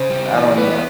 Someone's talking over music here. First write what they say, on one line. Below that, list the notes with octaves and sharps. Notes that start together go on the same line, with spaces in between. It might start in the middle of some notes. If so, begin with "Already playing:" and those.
I don't need a
Already playing: C#3 C5
G3
E3
B3 B4